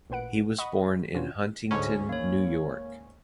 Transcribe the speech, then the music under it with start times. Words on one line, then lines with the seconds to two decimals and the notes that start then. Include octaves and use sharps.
He was born in Huntington, New York.
0.10 A1 A#2 B4 F#5 D7
0.58 D#5 F#5 B5 C#6 D#6
1.15 B2 E3 C#4 D4 F4 F#4
1.71 D2 G#2 C#4
2.09 A#3 C#5